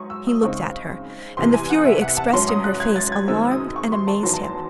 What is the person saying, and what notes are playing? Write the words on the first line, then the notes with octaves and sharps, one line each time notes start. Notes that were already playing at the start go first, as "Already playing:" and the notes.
He looked at her, and the fury expressed in her face alarmed and amazed him.
Already playing: G#2 F#3 C#6 D#6
E6
D#6
C#3 G#3 C4 D#4 C#6
E2 C3 E3 C6
G#5
F#5
E5
F#5
A5
G#2 F#3 C#4 C6
D#6
F#6
G#6
A6
G#6
F#2 D#3 G#3 C4 E6
D#6
C#6
C6
A5
E2 D#3 F#3 C6
A5
C6